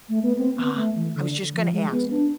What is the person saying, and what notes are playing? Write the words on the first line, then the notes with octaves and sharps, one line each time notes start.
Ah, I was just gonna ask.
A3
B3
C4
B3
A3
E3
D3
F3
G#3
B3
D4